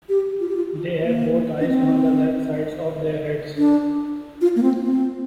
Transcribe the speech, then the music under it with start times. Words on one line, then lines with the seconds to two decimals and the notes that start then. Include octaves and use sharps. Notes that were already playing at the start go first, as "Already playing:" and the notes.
They have both eyes on the left sides of their heads.
0.09 G4
0.40 F4
0.49 G4
0.56 F4
1.05 A#3
1.60 D4
1.67 C4
3.57 D4
4.41 F4
4.56 A#3
4.63 C4
4.84 C4